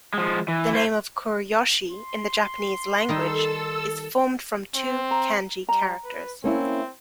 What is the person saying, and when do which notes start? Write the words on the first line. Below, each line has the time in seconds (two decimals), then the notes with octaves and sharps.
The name of Kurayoshi in the Japanese language is formed from two kanji characters.
0.14 F3 G#3
0.48 E3
0.73 E4 C5
1.92 C6
3.09 D#3 G3 D#4 A4 E6
4.76 C4
5.11 A#5
5.69 G3 A#5
6.05 B4
6.44 A#3 C4 C#4 E4